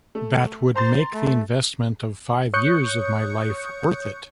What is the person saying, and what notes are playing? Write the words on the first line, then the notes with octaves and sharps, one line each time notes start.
That would make the investment of five years of my life worth it.
A3
C5 A#5 C6 A6
A3
C#5 C#6 D#6 F#6 G6 C#7